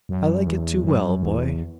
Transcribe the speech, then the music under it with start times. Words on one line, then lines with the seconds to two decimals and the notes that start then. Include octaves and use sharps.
"I like it too well, boy."
0.09 F#2
0.46 E2
0.84 F#2
1.22 E2